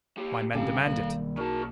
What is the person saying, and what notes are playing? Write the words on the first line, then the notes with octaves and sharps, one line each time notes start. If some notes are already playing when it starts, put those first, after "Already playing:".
My men demand it.
A#3 G4
G1 C2 D3 C4 C#4 G4 A4 F5
B1 D#3 G3 A#3
C#3 D#4 F#4 A#4 A5